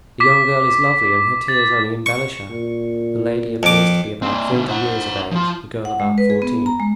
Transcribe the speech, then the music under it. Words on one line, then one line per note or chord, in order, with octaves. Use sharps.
The young girl is lovely and her tears only embellish her; the lady appears to be about forty years of age, the girl about fourteen.
D6 B6
A6
C#6
A#2
F2 D6
C4 D4
B2 D3
C5 F#5
F3 F4
F#5
G#3
B4
G#4
B3
A#5
G#3